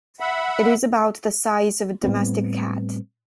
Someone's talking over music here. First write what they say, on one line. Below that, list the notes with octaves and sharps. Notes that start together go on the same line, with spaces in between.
It is about the size of a domestic cat.
E5 F#5 B5
A2 G3 B3 C4